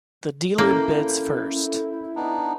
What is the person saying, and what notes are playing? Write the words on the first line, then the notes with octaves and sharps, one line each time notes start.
The dealer bids first.
A#3 C#4 E4 A4 G6
B3 D4 D#4